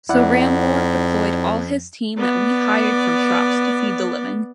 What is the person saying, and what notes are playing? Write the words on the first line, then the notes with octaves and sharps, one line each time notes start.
So Rambourg deployed all his team that we hired from shops to feed the living.
F2 E4 D5 F#5
B3 D5